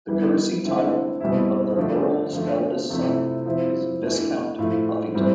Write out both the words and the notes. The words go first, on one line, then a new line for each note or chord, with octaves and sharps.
The courtesy title of the Earl's eldest son is Viscount Uffington.
E3 G3 B3 E4
D3 A3 C4 E4
B2 G3 C4 E4
D3 F3 A3 D4
D3 F3 A3
C3 F3 A3 C4 E4
F3 C4 E4
E3 A3 D4
A2 F3 A3
A2 E3 G3 C4